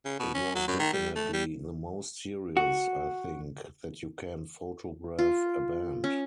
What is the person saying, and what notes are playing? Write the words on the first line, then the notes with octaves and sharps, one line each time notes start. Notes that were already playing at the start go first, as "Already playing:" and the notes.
It was definitely the most serious, I think, that you can photograph a band.
C#3
B2
C#4
F#3
F#2
D#3
G3
A3
G3
F#4
F4
C#4